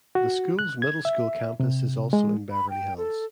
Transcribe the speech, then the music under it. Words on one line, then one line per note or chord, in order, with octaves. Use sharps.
The school's middle school campus is also in Beverly Hills.
F#4
F#6
G#6
E5
C3
G#3
B5
G5
A4